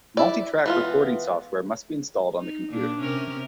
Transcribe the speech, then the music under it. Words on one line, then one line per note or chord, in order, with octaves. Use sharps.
Multitrack recording software must be installed on the computer.
E4 D5
E3 B3 F4
D#4
A#2 D4
C3 C#4 A#4